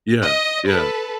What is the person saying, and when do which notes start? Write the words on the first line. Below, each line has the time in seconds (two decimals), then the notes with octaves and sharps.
Yeah. Yeah.
0.23 D#5
0.68 A4 B4